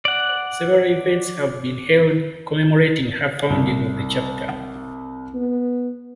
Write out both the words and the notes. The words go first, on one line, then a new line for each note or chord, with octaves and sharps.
Several events have been held commemorating her founding of the chapter.
D5 F#5
C2
B3